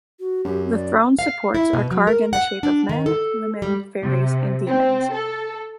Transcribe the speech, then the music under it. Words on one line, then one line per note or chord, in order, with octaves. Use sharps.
The throne's supports are carved in the shape of men, women, fairies, and demons.
F#4
F#2 G4
D5
F5
E4
B2
F#3
A#4
F#5
D4
D#3
A4
G3
C3
C4
A4